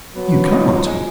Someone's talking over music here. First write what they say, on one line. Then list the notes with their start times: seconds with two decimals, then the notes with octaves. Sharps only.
"You can't."
0.16 F#3 B3
0.33 B3
0.51 D#4
0.69 F3
0.86 G#3